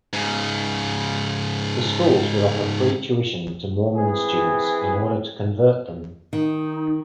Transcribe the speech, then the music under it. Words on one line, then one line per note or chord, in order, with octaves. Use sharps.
The schools would offer free tuition to Mormon students in order to convert them.
G#2 C#3
E3 C4 G#4
D#3 D#4